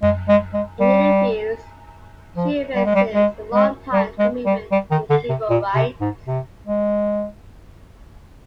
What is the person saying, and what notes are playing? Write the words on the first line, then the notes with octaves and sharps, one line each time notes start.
In interviews she evinces a longtime commitment to civil rights.
G#3
G#3
G#3
G3
F3
G3
G#3
G3
G#3
G#3
G3
G#3
G3
G3
D#3
D3
C3
A#2
C3
G#2
C3
G#3